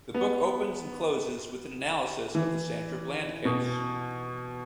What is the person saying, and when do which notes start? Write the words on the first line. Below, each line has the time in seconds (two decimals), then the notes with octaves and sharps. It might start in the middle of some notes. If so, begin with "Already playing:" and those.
The book opens and closes with an analysis of the Sandra Bland case.
0.14 B3
2.35 E3
3.45 B2